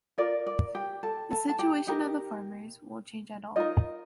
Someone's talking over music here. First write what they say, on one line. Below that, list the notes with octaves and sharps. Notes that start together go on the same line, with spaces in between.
The situation of the farmers won’t change at all.
F4 A#4 D5
D5
G4 G5
A4 A5
A4 A5
A5
G4 G5
D#4 G4 A#4
D#4 F4 A#4 D#5